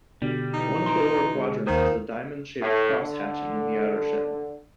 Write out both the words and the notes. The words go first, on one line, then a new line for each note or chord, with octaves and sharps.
One of the lower quadrants has a diamond-shaped cross-hatching in the outer shell.
B2 D3 G3
E3 D#4
F#4 A#5 C6
G#3
D#2 D#3 A#3 C5 D#6
A2
D3